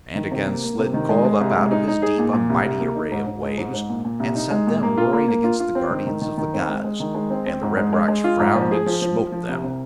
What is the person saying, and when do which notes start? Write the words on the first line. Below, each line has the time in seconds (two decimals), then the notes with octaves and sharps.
And again Slid called up out of his deep a mighty array of waves and sent them roaring against the guardians of the gods, and the red rocks frowned and smote them.
0.15 D#3
0.31 C3
0.47 A#3
0.63 A#3
0.79 C3
0.94 D#3
1.09 G#3
1.25 G#3
1.40 C2
1.56 G#3
1.71 D#4
1.88 D#4
2.02 G#4
2.18 A#2
2.33 A#2
2.49 C2
2.65 C2
2.80 A#3
2.95 D#4
3.12 G#2
3.26 G#2
3.42 G#3
3.58 G#2
3.74 G#2
3.89 A#2
4.05 A#2
4.19 C2
4.35 D#4
4.51 G#3
4.67 A#2
4.83 A#3
4.97 F4
5.13 A#3
5.28 A#3
5.44 F4
5.60 F4
5.75 C4
5.90 D#3
6.06 D#3
6.21 D#3
6.38 D#3
6.54 C4
6.68 G#3
6.84 G#3
7.00 D#3
7.15 G#3
7.30 C4
7.47 C4
7.62 G#2
7.77 G#3
7.93 G#3
8.08 G#3
8.24 F4
8.40 G#2
8.55 F3
8.71 G#4
8.86 F3
9.02 F3
9.17 F3
9.32 F3
9.49 C2
9.63 C3